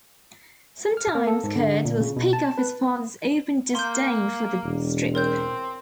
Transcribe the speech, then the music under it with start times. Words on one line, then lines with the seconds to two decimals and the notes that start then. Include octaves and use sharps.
Sometimes Kurtz will speak of his father's open disdain for the strip.
0.97 F6
1.15 A#3
1.27 A4
1.44 G#2
1.55 D3
1.85 A#2
2.00 C#3
2.16 B2
2.33 A5
2.58 B4
3.75 A#3 C6 G6
4.64 E1
5.15 C4 A#4 C#5 G6